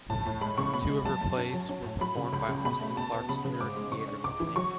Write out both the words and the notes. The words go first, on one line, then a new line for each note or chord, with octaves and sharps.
Two of her plays were performed by Austin Clarke's Lyric Theatre Company.
A2 A5
A2
G#3 B5
C#3 C#6
B2 B5
G#3
F#2 A5
F#2
C#4
F#3
C#4
A2
F#3 B5
C#3
C#2 B5
C#3
B2 B5
A3
B2 A5
B3
C#3 B5
C#3
G#2 D6
G#3
C#3 C#6
D4
C#2 D6
E3
F#3 C#6